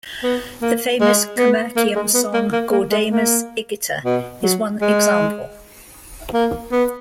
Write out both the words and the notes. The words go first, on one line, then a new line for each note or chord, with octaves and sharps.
The famous commercium song "Gaudeamus igitur" is one example.
B3
A#3
G#3
B3
A#3
G#3
B3
A#3
A#3
A#3
G#3
A#3
B2
F#3
G#3
A#3
B3